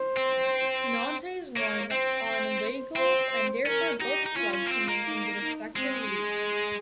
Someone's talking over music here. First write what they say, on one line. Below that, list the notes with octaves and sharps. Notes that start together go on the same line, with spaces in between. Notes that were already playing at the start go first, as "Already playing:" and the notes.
Nantes won on away goals and therefore both clubs remained in their respective leagues.
Already playing: C5
C4
A#3 C#5
C4 C5
C5
C4 C5
C5
C#4 A#4
D#4 G4
D#4
C#4 F4
C#4
A#3
C4
A#3
D#4
D#4
G#3 C4
G#4